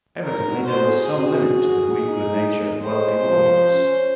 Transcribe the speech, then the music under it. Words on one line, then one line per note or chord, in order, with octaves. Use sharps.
Evidently there was some limit to the weak good nature of wealthy lords.
A#4
F#4
C5
G#4
F#4 G#4
D#4
G#3 C5
F3
C#4